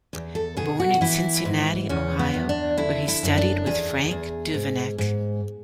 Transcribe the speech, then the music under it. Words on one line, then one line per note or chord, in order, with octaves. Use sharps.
Born in Cincinnati, Ohio, where he studied with Frank Duveneck.
E2
A4
B2 G#4
F#4
F#4
E3 E4
G#2
E2 C#4
B3
E2
D4
D3 E4
E4
F#2
D4
E2 G#4
E2
G#2
G#2